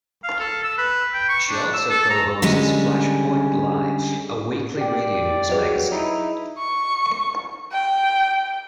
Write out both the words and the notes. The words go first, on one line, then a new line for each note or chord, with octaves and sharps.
She also co-hosts "Flashpoint Live", a weekly radio news magazine.
F5
A4
E6
B4
G5
C#6
D4
E6
A4
A#5
D3 G3 G#3 C#4
G4 D5 G5
F#3 G#4 B4 D#5
D#4 E4
C#6
G5